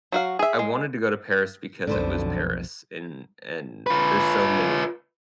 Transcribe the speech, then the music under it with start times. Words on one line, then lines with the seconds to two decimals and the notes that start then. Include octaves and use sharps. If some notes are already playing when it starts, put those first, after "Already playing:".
I wanted to go to Paris, because it was Paris, and and there's so many
0.12 F#3 F#4 F5
0.39 G#4 E5
0.59 G#3
1.87 B1 F2 D3 B3 C5
3.87 F4 B4